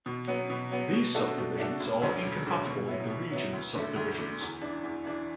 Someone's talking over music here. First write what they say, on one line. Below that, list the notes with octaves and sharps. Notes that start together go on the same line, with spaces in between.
These subdivisions are incompatible with the region subdivisions.
B2
F#3 B3
B2
F#3 B3
B2
A3 D4 F#4 A4
B2
A3 D4 F#4 A4
E1
D2 D3 F#3
E1
D2 D3 F#3
B2
F#3 B3 E4
B2
F#3 B3 E4
D2
D3 A3
D2
D3 A3
E2
E3 D4
E2
E3 D4